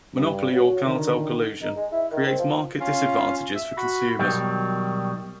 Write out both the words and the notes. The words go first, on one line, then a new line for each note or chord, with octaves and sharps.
Monopoly or cartel collusion creates market disadvantages for consumers.
G2
F#4 C#5
D3 D#3
D#4
G#3
E4
D#3
C4
F3
C#4 F4 F5
E5
F#4 B5
B2 D#3 F#3 G3